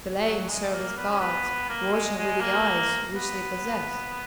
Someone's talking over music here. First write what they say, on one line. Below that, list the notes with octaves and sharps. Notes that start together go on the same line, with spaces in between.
The lame serve as guards, watching with the eyes which they possess.
F#3
G#3
A#3
B3
C#4
B3
A#3
G#3
G#3
A#3
B3